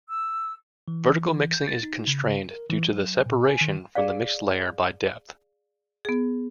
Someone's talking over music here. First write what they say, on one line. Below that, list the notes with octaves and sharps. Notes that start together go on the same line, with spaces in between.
Vertical mixing is constrained due to the separation from the mixed layer by depth.
E6
E3
G6
A6
D#4
C#3
A#4
E3
F#3
A#2
G#5
D#3
G#4 D5 F5
B3 G#4